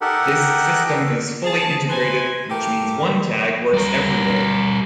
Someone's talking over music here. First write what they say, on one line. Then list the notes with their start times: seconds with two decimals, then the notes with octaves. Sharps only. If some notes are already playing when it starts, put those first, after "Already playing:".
This system is fully integrated, which means one tag works everywhere.
0.01 D#4 G4 A4 A#4 F#5
1.44 G#4 A5
1.89 C3 B4 C5 G#5
2.50 E4 G4 A4 A#4
3.73 G3 A#4